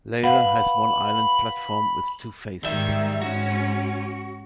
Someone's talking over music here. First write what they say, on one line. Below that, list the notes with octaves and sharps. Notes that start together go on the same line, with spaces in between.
Lalor has one island platform with two faces.
B4 F5 F#5 B5
G#2 D#3 G3 E5
G#2 C#4 F#4